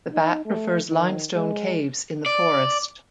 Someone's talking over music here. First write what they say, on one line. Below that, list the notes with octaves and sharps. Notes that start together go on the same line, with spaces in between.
The bat prefers limestone caves in the forest.
D#4
A3
D#3
G#3
D5